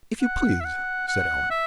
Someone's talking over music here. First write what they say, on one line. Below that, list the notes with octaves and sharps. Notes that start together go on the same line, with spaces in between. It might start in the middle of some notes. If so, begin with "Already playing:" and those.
"If you please," said Allan.
F#5
E5
F#5
F#5
E5